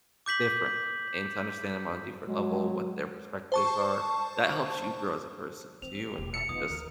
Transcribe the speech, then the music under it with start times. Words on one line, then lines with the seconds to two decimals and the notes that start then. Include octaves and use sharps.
different. And to understand them on a different level, what their perspectives are, that helps you grow as a person too, and not just,
0.26 D6 G6 B6 F#7
2.28 F#3 G#3
3.52 C5 A5 C#6
5.82 E3 C4 F7
6.03 G4
6.18 E1
6.34 E5 A5 C#7
6.49 E3 B3 D#4 F4 D#6
6.70 D2 A#4